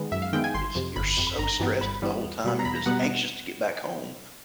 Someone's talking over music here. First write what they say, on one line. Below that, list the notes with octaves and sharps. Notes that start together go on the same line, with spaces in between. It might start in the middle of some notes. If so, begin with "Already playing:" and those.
it's you're so stressed the whole time. You're just anxious to get back home.
Already playing: D#3 G#3 B3
F#2 E5
F5
D#3 G#3 B3 G5
G#5
G1 C6
F2 C3
G1 B5
F2 C3
B5
G1 A#5
G2 E3 G3 B3
G1 B5
G2 E3 G3 B3
E2
B2 G3 B3
A#5
E2 B5
A#5
B2 G3 B3 F#5